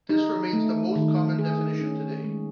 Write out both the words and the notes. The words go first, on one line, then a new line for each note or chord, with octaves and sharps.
This remains the most common definition today.
D#4
A3
D#3
G#4
C#4
G#3